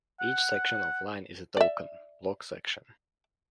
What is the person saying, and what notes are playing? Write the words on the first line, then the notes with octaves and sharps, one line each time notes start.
Each section of line is a token "block section".
F#5
D5 E5